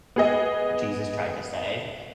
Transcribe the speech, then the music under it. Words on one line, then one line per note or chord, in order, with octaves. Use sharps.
Jesus tried to say,
B3 G#4 D#5